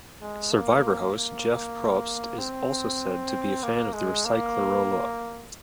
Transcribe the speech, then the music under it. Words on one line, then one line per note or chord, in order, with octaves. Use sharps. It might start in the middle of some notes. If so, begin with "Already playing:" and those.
Survivor host Jeff Probst is also said to be a fan of the Recyclarolla.
G#3
A#3
A#3
C4
A#3
G#3
A#3